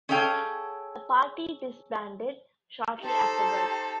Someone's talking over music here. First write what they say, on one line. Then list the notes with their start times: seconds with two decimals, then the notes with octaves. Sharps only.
The party disbanded shortly afterwards.
0.09 C#4 G#4 A4 F5 G5
3.01 D#4 G4 A4 C5 A5